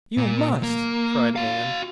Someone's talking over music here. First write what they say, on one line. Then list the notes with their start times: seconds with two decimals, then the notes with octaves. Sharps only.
"You must!" cried Ann.
0.17 A#2
0.63 A#3
1.36 F#4 F5